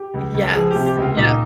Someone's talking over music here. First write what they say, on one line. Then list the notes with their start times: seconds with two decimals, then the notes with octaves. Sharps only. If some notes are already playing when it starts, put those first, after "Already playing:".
Yes, yeah.
Already playing: G4
0.14 C#2
0.34 C#2
0.55 F3 G#4
0.71 G4
0.76 C3
0.86 G4
0.97 C#2
1.02 F4
1.17 A#2 D#4